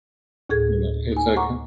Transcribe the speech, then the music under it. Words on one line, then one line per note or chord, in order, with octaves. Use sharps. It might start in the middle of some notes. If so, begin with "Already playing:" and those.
you know, it's like, "Huh."
D2 A2 G#4 A4 G#6
D#4 G#5
F#5 A#5 C#6 D6